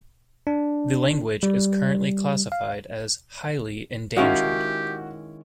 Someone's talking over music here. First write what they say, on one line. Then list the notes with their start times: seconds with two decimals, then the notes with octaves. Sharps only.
The language is currently classified as "highly endangered".
0.47 D4
1.43 G3
2.52 F5
4.16 D#3 G#3 C#4 E4 F#4 G4 F5